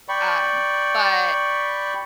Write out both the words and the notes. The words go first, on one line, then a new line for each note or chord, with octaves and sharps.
um, but
D5 G5 B5 C#6